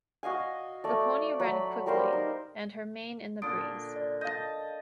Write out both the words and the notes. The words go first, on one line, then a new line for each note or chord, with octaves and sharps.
The pony ran quickly, and her mane in the breeze.
F#4 D#5 F5 G#5
A3 D5
F#3 B5
G3 A#4 C5 F5
D#4
A#2 D3 D#6 D7
D5
D#5 F5 A5 G6